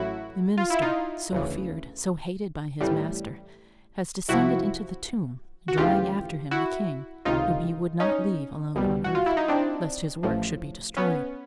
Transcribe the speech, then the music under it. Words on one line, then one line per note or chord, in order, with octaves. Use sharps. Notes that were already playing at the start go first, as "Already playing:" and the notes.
The minister, so feared, so hated by his master, has descended into the tomb, drawing after him the king, whom he would not leave alone on earth, lest his work should be destroyed.
Already playing: A1 A2 F#3 E4 F#4
F4
E4
D#4 F4
D2 C#3 E3
A1 A2 E3 G3
C2 C3 F3 E4 F#4
F#4
D2 C#3 E3 F4 G4
E4 F#4
C#2 C3 D#3 D#4 F4
C#4 D#4
C2 B2 G3
F#4
F4
E4
D#4
C4 D4
A1 A2 F3
B3 C#4